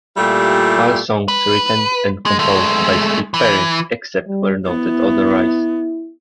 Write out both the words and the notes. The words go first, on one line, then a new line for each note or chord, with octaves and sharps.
All songs written and composed by Steve Perry, except where noted otherwise.
A#2 G3 A3 E4 F4 G4
B4
G#3
G#3 A3
E3
G3
B3 E4